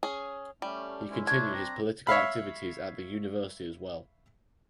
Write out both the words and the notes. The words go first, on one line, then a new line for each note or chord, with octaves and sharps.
He continued his political activities at the university as well.
C#4 G#4
G3 A3 C#4
G#3 C#4 E4
D4 C#6 G#6
C4 A#5
C#5 E5 F5 B5